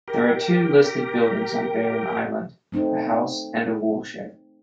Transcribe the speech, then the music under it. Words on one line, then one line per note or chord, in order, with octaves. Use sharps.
There are two listed buildings on Barren Island, a house and a woolshed.
G4 A#4
A3 C4 D#4